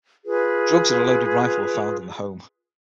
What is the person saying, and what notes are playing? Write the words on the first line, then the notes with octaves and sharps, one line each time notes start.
Drugs and a loaded rifle were found in the home.
F4 G#4 B4